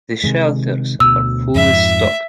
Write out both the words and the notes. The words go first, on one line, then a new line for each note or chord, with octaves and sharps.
The shelters are fully stocked.
C3 D#3 G#3
D2 B2 E6
F2 G#2 F3 E5